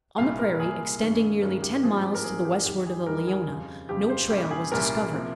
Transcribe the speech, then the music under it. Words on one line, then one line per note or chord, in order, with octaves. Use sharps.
On the prairie, extending nearly ten miles to the westward of the Leona, no trail was discovered.
C2 A#2 G3 F5
A#4
C2 A#2 G3 G#4
G2 D#3 G#3 C#4
G2 D#3 G#3 C#4 A#4
G4
G#2 F3 C4 G#4
G4
A#4
G#2 F3 C4 G#4
G4
D#2 D#3 G3 G4
G#4
D#2 D#3 G3 A#4
G#4
F2 C#3 G3
F2 C#3 G3 G4
C5
C2 A#2 G3 C#4 G4
G#4
C2 A#2 G3 C#4 A#4
C3 F3 A#3